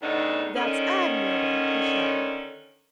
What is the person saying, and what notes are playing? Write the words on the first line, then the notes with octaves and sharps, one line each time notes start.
"That's admirable!" he shouted.
E2 A2 C#3 B3 D4 D#4
D3 D#3 C#4